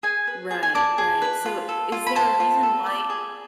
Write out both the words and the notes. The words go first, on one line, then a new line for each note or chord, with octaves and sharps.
Right, right, so is there a reason why
G#4 G#5
B4
G#4
G#5
D5 A5
G#4
B4
F4
A4
F4
B5
C5 A5
F4
A4
D5
G#4